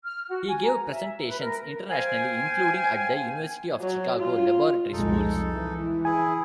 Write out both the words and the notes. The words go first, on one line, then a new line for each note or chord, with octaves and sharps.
He gave presentations internationally including at the University of Chicago Laboratory Schools.
F6
F#4
G#5
A#5
E5
B4
A#4
C5 F5 G5 G#5
F#3
F4
C2 F2 G#3 D#4 A4
E3
E4 G#4 G#5